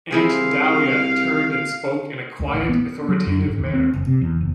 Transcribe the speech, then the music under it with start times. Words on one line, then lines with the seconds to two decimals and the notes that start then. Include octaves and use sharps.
Aunt Dahlia turned and spoke in a quiet, authoritative manner.
0.11 C2 E4 G#4 C5 F5
2.40 D2
2.53 A1
2.69 B3
3.09 F#3
3.27 F#2
3.46 G#1
3.60 D#2
3.74 C4
3.94 F#1
4.07 C3
4.21 E2
4.41 F#1